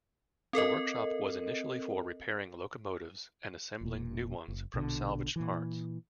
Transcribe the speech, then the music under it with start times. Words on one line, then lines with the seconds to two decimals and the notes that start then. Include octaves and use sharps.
The workshop was initially for repairing locomotives, and assembling new ones from salvaged parts.
0.53 C4 A4 A#4 D#5
3.81 E1 A#2
4.48 F#1
4.74 A#1 B2 D3
5.36 A#2 E3